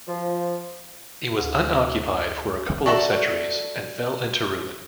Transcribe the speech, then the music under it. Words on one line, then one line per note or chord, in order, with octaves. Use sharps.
It was unoccupied for a couple of centuries and fell into ruin.
F3
D2
D4 F#4 A4 E5 A#5